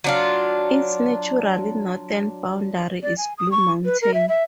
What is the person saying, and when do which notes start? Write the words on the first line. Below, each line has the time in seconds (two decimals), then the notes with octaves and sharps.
Its natural northern boundary is Blue Mountain.
0.04 F#3 D4 F4
3.03 D5
3.18 G#5
3.38 D#6
3.51 C#6
3.85 B4
4.02 A#4
4.14 E5
4.29 E5